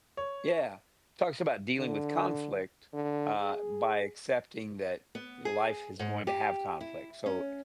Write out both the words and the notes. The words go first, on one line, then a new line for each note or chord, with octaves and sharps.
Yeah, talks about dealing with conflict, uh, by accepting that life is going to have conflict. So,
C#5
D3
D3
G#4
B3
G#4
G#2
G4
E4
C#4